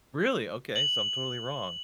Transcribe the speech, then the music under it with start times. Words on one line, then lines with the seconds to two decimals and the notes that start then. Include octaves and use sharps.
Really? Okay, so I'm totally wrong.
0.76 F#7